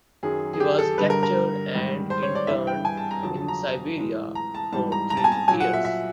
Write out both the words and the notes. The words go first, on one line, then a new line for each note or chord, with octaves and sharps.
He was captured and interned in Siberia for three years.
F#2 D#3 F#3 G#4
G#4
G4
A4
G2 D3 G3 B4
A#4
A#4
G#2 D#3 G3
C5
C#5
D5
G2 E3 G3 E5
G5
G#5
A5
A#5
F2 D3 F#3 A5
A5
A#5
A2 E3 G#3
A#5
A5
G#2 E3 G3 A5
A#5
A#5
A5
G#5
A5
A#2 F#3 G#5
F#5
E5
E5